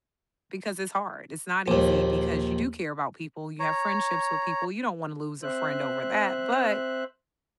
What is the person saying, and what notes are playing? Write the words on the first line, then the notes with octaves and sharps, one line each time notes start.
because it's hard; it's not easy because you do care about people, you have friendships with people, you don't wanna lose a friend over that, but
A#1 D#2
C#5 A#5
C4 C5 E5 F#6